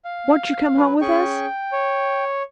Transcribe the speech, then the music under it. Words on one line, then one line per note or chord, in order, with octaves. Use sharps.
"Won't you come home with us?"
F5
F#3 B4
C#4 G#4 G5 C#6
C#5